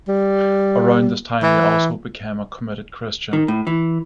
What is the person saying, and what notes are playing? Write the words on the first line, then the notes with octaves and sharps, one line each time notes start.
Around this time he also became a committed Christian.
G3
E3
D#3
A2
E3